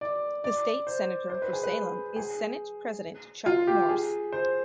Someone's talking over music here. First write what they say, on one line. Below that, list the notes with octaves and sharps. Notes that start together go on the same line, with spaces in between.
The state senator for Salem is Senate President Chuck Morse.
D5
D5
C5
C5
B4
G#4
B4
G#4
F4
G4
G#4
C5